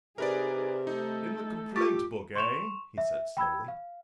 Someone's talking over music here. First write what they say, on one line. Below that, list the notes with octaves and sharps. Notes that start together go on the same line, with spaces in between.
"In the complaint-book, eh?" he said, slowly.
C3 D#4 G#4 A#4 B4 D5
A3 D#4 A4
F4 G4 C#6 D6 A6
C6 C#6 E7 F7
E5
G5 B5 E6 G#6
F5